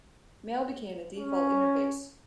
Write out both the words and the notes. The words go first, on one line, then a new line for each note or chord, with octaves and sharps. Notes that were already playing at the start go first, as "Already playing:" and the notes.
Mail became the default interface.
C#4